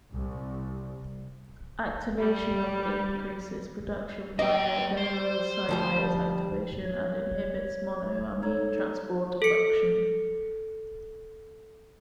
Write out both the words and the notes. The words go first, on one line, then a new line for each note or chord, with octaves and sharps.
Activation of increases production via adenylyl cyclase activation and inhibits monoamine transporter function.
C2
G3
A#3 D#5 G5
C5
D2 F3 G3
C#5
D#4 A4 C#5
A4 C#7